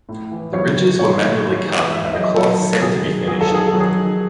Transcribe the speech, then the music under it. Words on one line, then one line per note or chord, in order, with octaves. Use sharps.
The ridges were manually cut, and the cloth sent to be finished.
A2
E3
F#3 C#5
D#3
F#3 C#5
D#3
G#2
E3
G#2 E5
E5
F#3 D#5
F#3 A4
D#3
F#3 G#4
D#3
F#3 G#4
A4
D#3 G#4
A4
F#3
G#4
D#3